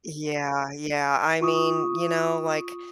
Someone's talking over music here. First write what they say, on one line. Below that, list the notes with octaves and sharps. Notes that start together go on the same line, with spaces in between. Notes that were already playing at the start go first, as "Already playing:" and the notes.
Yeah, yeah. I mean, you know, like,
F4 C#6 D#6